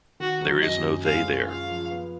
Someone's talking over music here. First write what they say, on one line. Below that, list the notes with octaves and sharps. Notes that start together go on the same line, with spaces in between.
There Is No They There.
D#3 F#4
F#3
F#2 D#5
F#2
G#3 F5
C#4
F4 F5
F3
B3